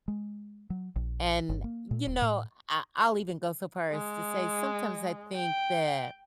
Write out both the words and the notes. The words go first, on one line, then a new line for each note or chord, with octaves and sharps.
And, you know, I I'll even go so far as to say, sometimes I think that
G#3
F#3
A#1
G1
A#3
A#2
D#1
A2
G#3
G5